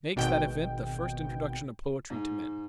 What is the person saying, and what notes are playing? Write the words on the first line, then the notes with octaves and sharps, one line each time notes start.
He makes that event the first introduction of poetry to men.
G#1 B2 G5
G#2